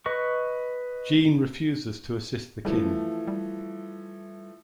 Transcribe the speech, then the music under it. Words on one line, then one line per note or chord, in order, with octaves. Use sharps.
Jean refuses to assist the king.
B4 D#5 C#6
E3 F3 G3 A3
G3